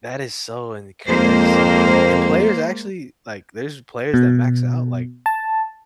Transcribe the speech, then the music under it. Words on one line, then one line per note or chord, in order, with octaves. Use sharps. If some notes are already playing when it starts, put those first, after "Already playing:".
That is so in cra that is so crazy, and players actually Like, there's players that max out, like,
F2 G#3 A#3 C5
B2
A5